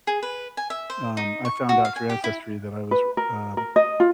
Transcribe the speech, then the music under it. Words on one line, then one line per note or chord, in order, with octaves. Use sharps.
um, I found out through ancestry that I was re um,
G#4
B4
G#5
E5
C5
D#4
C#6
F#4
F5
G#5
G4
E4
B4
A#4
A#4
D#5
F4